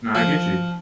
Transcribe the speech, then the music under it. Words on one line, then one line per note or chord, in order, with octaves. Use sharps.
Nah, I get you.
F3